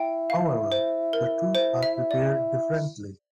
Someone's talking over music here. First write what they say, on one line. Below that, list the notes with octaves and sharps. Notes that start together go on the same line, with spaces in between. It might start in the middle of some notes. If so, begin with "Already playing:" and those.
However, the two are prepared differently.
Already playing: E4 G5
F5
C5
A#4
C5
E5
D5